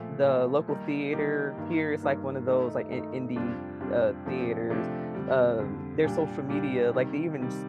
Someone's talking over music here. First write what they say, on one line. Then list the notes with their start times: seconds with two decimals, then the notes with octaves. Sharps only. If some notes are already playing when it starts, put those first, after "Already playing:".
the local theater here it's like one of those, like, i indie, uh, theaters. Um, their social media like, they even s m
Already playing: A#2 F3 A3
0.24 A#2 F3 A3
0.68 D#3 G3 A#3 D#4 G4
1.13 D#3 G3 A#3 D#4 G4
1.57 G2 D#3 A#3
2.02 G2 D#3 A#3
2.47 D#3 A3 D#4
2.91 D#3 A3 D#4
3.36 F2 C3 G3 D4 F4
3.81 F2 C3 G3 D4 F4
4.25 C3 F3 A3 D4 G4
4.70 C3 F3 A3 D4 G4
5.14 F2 D3 G3
5.59 F2 D3 G3
6.04 A#2 G3 D4 G4
6.48 A#2 G3 D4 G4
6.93 C3 D#3 G3
7.38 C3 D#3 G3